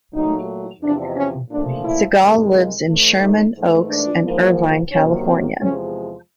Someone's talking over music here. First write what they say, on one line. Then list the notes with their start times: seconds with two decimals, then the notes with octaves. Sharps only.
Siegel lives in Sherman Oaks and Irvine, California.
0.14 A#2 F#3 A3 D#4
0.82 E2 C3 F3 D4
1.16 C#4
1.50 A#2 F3 A3 D4
1.84 E4
2.19 E2 C3 D#3 G#3
2.53 F4
2.87 A2 E3 A3
3.21 D#4
3.56 G#2 E3 A3
3.89 D4
4.24 G#2 F3 A#3
4.92 C3 D#3 F#3 A#3 C#4
5.27 C4
5.60 E2 C3 F3 G#3 C#4